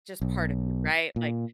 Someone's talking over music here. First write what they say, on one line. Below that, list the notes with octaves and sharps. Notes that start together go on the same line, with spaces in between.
just part of you, right, like,
B1
A#2